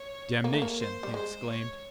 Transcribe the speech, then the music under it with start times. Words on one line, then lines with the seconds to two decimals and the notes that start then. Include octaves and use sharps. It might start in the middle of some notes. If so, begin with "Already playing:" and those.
"Damnation!" he exclaimed.
Already playing: C#5
0.44 A#3
0.53 A3
0.62 A#3
0.79 C5
1.03 G3
1.14 G#3 C5
1.49 C#5